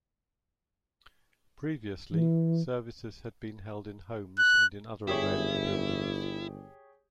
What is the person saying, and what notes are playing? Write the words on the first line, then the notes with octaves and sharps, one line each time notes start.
Previously, services had been held in homes and in other available buildings.
E3
F#6
G1 E4 G4 G#4 C#5